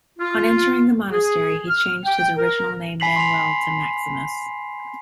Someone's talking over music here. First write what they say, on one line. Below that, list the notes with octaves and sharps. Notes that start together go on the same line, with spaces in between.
On entering the monastery he changed his original name Manuel to Maximus.
F4
G#4
F6
G5
A#4
G#5 B5 B6 C7 F7 F#7
C6 F7